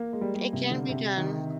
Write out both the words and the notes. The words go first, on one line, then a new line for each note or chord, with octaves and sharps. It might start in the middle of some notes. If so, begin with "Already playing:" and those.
It can be done.
Already playing: A#3
G#3
G3
G3
C3
D3
C3
D#3